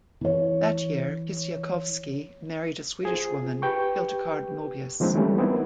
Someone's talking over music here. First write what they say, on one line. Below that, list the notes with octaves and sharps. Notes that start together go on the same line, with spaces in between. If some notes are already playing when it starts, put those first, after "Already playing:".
That year, Kistiakowsky married a Swedish woman, Hildegard Moebius.
E3 C#5
F4 G#4 C5
G4 B4 G5 C#6
D#3 F3 G#3 A#3 C4 D4
E3 G3 A3 C#4
B3 C4 D#4 E4 A#4